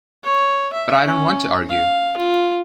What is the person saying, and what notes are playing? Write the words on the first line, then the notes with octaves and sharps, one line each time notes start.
But I don't want to argue.
C#5
E5
C#4
F5
F4